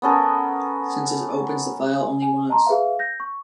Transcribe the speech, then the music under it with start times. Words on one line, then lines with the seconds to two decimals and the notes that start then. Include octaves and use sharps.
Since this opens the file only once.
0.02 B3 C#4 A4 A#4
1.98 G#5
2.22 G#5
2.49 D#5 A5 A#5 C6
2.67 G#4 B4 E5 F5
2.99 G6 A#6
3.20 C#6